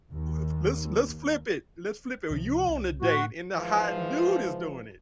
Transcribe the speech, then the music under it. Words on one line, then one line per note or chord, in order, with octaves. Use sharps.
If Let's let's flip it, let's flip it, you on a date and the hot dude is doing it.
D#2
C#2 C3 F3
C2
A2 A3 F#4
G#2 E3 F3